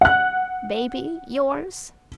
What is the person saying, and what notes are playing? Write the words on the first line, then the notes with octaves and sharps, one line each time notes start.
"Baby yours?"
F#5 F#6